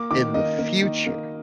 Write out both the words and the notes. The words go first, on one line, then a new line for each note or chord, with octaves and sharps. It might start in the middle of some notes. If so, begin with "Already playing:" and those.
in the future
Already playing: A#3 D6
D#3 D6
A#3 D#5
A#3
D#3
A#3